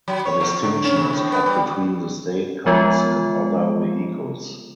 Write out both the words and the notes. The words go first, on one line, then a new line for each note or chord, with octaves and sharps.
A distinction is kept between the State Cars and other vehicles.
F#3
C#5
F3
D3
C#4
C3
A2
B3
G3
F3 G#3 B3 F4